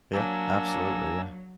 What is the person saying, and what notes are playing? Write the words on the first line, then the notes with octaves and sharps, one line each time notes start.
Yeah. Absolutely. Yeah.
F#3 A#3 D4 G#5 A#5 E6